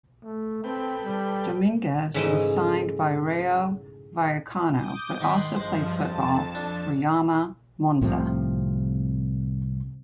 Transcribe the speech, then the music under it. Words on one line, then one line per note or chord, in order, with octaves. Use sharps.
Domingues was signed by Rayo Vallecano but also played football for Fiamma Monza.
A3
C4 A4 B4 G5
G3
G#2 C#3 E3 A3 D#4 D#5
D6 D#6 G6
G#2 D#3 B5 C6 F#6
G2 F3 G#3 C5
F2 A5
D4
C2 A2 C3 F3